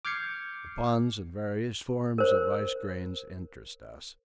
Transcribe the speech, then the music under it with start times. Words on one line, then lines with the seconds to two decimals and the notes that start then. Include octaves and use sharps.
The ponds and various forms of ice grains interest us.
0.05 D6 F6 G6 G#6 C7 C#7
2.18 A#4 C5